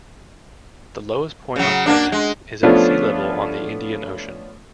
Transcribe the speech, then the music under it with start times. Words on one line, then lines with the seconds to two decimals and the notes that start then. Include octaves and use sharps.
The lowest point on Kenya is at sea level on the Indian Ocean.
1.56 C#3 F#3
1.86 A#3 D4
2.12 G#3
2.63 F3 A3 B3 C#4 D4 F4